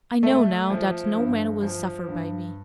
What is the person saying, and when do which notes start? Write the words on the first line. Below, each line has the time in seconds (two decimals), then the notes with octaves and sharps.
'I know now that no man will suffer by me.
0.23 A3 E5
0.70 F3
1.16 G2
1.62 F3
2.08 G2